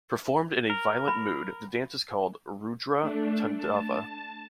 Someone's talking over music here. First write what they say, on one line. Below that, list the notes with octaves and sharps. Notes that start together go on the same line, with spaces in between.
Performed in a violent mood, the dance is called "Rudra Tandava".
A#4
B5
A3 D4
A5